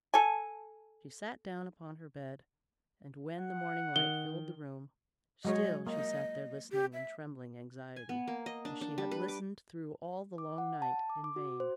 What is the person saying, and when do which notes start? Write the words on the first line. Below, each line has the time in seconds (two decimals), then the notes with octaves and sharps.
She sat down upon her bed, and when the morning light filled the room, still she sat there listening in trembling anxiety, as she had listened through all the long night; in vain.
0.14 A4 G#5
3.39 F#5
3.96 D#3 G7
5.45 F#3 G#3 C#5 D#5
5.87 A#3 D#5
6.72 G4
6.94 E5
7.96 G#5
8.09 B3
8.27 A#3
8.46 D#5
8.65 D4
8.81 D4
8.98 G3
9.11 B4
9.28 D6
10.38 D6
10.58 F#5
10.82 A5
11.10 D6
11.24 D6
11.36 F#4
11.60 C5